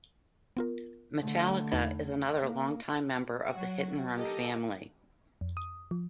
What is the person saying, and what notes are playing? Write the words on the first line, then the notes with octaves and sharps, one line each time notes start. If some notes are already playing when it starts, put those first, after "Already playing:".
Metallica is another longtime member of the Hit and Run family.
B3 F4 A#4
D3 A3
E2 D#4 B5
A#3
F#3 F#4
G4 A4 A#4 D#5
F2
D#6
F3